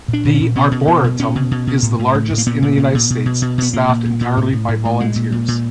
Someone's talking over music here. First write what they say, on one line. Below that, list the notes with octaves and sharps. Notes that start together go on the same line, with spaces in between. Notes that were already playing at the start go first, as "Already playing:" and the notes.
The arboretum is the largest in the United States staffed entirely by volunteers.
A#2
D4
A#2
C#4
A#2
B2 C#4
B2
B2 B3
B2
B2 C#4
B2
B2
B2
A2
A2
A2
A2
A#3
A#2 B3
A#2
A#2
A#2
B2
B2
B2
B2 B3
A#2 A#3
A#2
A#2
A#2
A2
A2
A2
A2
A#2 G#3
A#2
A#2
A#2